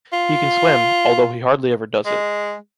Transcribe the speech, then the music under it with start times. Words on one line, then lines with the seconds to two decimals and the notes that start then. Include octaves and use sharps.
He can swim, although he hardly ever does it.
0.13 F4
2.06 G#3